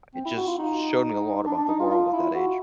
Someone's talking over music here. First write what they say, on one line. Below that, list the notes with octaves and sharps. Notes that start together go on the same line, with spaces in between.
it just showed me a lot about the world at that age.
C4
E4
F#4
F4
D#4
D4
D4
D#4
F4
F4
E4
F#4